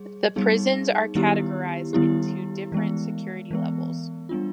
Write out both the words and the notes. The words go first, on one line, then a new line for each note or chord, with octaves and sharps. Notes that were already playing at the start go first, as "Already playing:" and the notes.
The prisons are categorized into different security levels.
Already playing: G3 G#4
G3 B3 D#4 G#4
D#3 G3 B3 E4 G4
D#3 G3 B3 E4 G4
E3 G#3 B3
E3 G#3 B3
G3 B3 D4 F4